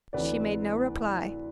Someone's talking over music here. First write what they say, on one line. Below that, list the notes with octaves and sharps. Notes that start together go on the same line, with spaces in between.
She made no reply.
D2 C3 E3 B4 D5